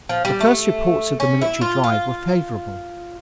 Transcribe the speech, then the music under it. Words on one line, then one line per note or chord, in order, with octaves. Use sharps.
The first reports of the military drive were favorable.
F3
G3
A3
C#4
E4
F4
F4